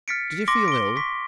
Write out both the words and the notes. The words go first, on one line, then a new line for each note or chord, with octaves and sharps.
"Did you feel ill?"
F6 A6 B6 C#7 D7
C6 D6 A#6 D7
D7 G7
C#6 B6